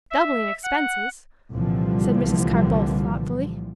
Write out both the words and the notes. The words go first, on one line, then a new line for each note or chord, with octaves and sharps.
"Doubling expenses," said Mrs. Carr-Boldt, thoughtfully.
E5
F#5
C2 A#2 D3 E3 F3 G3